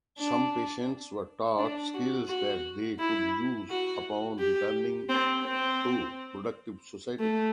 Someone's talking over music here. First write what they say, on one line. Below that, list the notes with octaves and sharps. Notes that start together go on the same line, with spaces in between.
Some patients were taught skills that they could use upon returning to productive society.
D4
D4
F#4
F#4
E4
F#4
G4
C4
C4
A3